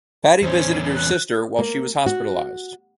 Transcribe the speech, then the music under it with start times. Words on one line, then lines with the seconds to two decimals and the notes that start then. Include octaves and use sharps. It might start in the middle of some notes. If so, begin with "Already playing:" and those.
Patty visited her sister while she was hospitalized.
0.42 E2 C#4 C5
0.96 F#6
1.59 A#3
2.06 F#4